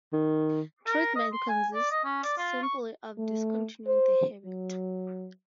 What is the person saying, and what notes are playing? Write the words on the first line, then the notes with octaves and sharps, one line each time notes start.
Treatment consists simply of discontinuing the habit.
D#3
A#4
D#5
C6
G#5
D5
D#5
C#4
D5
F4
C#6
A3
C5
F#3